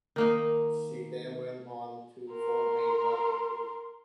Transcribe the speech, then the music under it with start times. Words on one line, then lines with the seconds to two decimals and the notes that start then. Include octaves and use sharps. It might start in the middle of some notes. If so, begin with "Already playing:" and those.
She then went on to form a rapping group.
0.16 D#3 A#3 D#4
2.31 A#4 C6